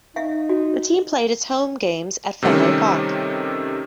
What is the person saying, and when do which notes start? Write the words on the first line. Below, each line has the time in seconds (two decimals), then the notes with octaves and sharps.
The team played its home games at Fenway Park.
0.16 D#4 E5 F5
0.49 F#4
2.42 C3 D#3 G3 A3 C#4